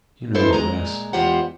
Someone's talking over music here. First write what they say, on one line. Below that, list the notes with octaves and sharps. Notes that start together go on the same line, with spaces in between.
You know the rest.
G#3 E4 A4 B4 C5
A#2 G#3 A#5
E2 G#3 F4 G4 C5 F#5